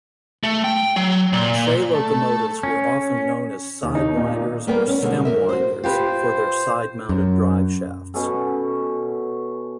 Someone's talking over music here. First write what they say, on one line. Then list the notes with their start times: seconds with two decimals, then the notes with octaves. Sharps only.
Shay locomotives were often known as "sidewinders" or "stemwinders" for their side-mounted drive shafts.
0.43 A3
0.64 G5
0.96 F#3
1.33 A#2
1.95 A3
2.63 C#4
3.83 D#2
3.95 D#4
4.17 A#2
4.67 G3 A#3 B3 A#4 G5
4.88 C#4
5.02 B2 D3 G3 G#3 A#3
5.25 F#2 A#4 E5
5.49 F#4 C5
5.84 F4 G4 B4 C5
7.09 F#2
8.14 B2 C#4 A4